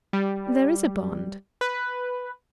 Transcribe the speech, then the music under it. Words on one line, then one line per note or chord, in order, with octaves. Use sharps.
"There is a bond."
G3
B4